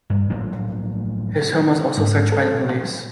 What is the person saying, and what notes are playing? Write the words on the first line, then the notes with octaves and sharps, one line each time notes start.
His home was also searched by the police.
G2
A2 F3 F#3 D4
G#2
A4
A#2